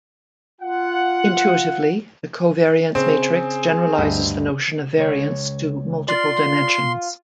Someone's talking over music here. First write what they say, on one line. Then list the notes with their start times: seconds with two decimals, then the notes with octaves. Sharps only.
Intuitively, the covariance matrix generalizes the notion of variance to multiple dimensions.
0.61 F4 F#5
2.95 C#3 C4 G#4
3.98 D2 G2 D#5
4.98 C#2 C#5
6.08 F4 D5 C6